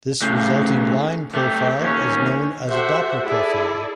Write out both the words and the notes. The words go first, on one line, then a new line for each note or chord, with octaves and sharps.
This resulting line profile is known as a Doppler profile.
A2 C#3
A3 G4
D#2 C#4
F#4 G4 A4 C5 E5 F#5
E4 G#4 A4 D5